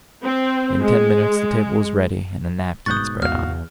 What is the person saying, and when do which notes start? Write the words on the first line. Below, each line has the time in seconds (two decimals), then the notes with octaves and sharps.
In ten minutes the table was ready and a napkin spread on it.
0.23 C4
0.80 G#3
2.86 G#2 B2 C#6 D#6 F#6 G6 A6
3.22 E2 F#4 F5 F6